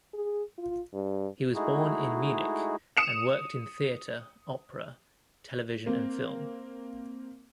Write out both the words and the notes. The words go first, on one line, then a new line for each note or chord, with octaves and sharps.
He was born in Munich and worked in theatre, opera, television and film.
G#4
F4
G2
G#3 A3 D#4 E4 F#4 G#4
D#6 C#7 E7 F7
A#3 C4